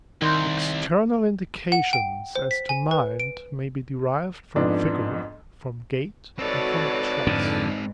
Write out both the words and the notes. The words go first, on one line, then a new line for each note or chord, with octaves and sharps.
External indications as to mind may be derived from figure, from gait, and from dress.
C2 D#3 B5 C6 G6
F#5
G5
C5
B6
G#5
B4
D7
F2 G#2 B3 D4
C4 D#4 F#4 A4 B4 C#5 D5
F2 G#2 D3